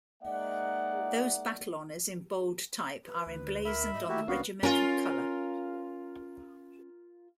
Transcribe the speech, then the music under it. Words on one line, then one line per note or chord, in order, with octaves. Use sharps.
Those battle honours in bold type are emblazoned on the regimental colour.
G#3 A#3 D#4 D5 E5 F#5
B4
D2
A#4 E5 B5
G#2 D#5
A3 A#3 E4 F#4 G4
C2 A#3 B3 C#4 D4 F#4 B4 F5
C#4 F4 A#4